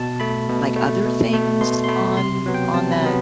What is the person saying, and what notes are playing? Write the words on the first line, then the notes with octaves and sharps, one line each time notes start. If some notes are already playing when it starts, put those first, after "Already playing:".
like other things on on that
Already playing: B2 A5
A3 B5
B2
A3
B2
A3
B2 C6
C6
A3 B5
C3 C6
F#3 B3
G5
C3 A5
B5
F#3 B3